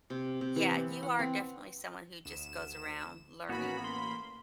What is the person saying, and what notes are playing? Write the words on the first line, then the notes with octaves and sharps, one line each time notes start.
yeah, you are definitely someone who just goes around learning
C3
C3
E3
B3
F#5
C4
D2 E7
A1 A#3 B3 C#4 F#4 B5
C6